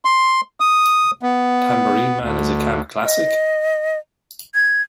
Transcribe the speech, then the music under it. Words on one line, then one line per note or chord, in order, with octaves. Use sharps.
Tambourine Man' is a camp classic?
C6
D#6
B3
D2
D#5
G#6